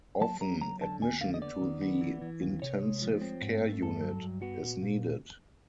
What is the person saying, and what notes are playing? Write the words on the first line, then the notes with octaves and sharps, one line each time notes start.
Often, admission to the intensive care unit is needed.
F#3 A5
F#3 A#5
F#3 A#5
D3 A5
D#2 G#5
D3 F5
D#5
B3 D5
D#3
B3
E3
E3
D#2
C3 C#5
G#3
F3
C4
G#2
A3
G2 A4
F#3
G2
B3 F#4
A#2
A#2